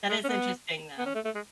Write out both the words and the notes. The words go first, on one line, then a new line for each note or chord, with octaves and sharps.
that is interesting, though.
G#3
C#4
B3
B3
C#4
A3
A3
G#3